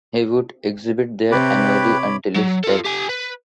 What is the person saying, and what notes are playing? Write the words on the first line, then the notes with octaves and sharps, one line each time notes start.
He would exhibit there annually until his death.
C3 G4 B4 C#5 B5 D6
F#3
F4 A4
G4 G#5
B4